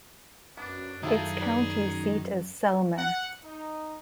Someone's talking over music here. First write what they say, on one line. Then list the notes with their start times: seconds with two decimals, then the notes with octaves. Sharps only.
Its county seat is Selmer.
0.57 F#2 B3 D4
1.03 D#3 E4 F4 G#4 A4
1.41 B4 D5 B5
2.97 F#5
3.43 D#4